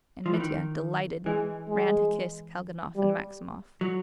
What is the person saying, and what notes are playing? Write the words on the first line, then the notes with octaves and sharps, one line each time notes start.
And Mitya, delighted, ran to kiss Kalganov and Maximov.
F3
E3
D#3
E3 G#3
G#3
G3
F#3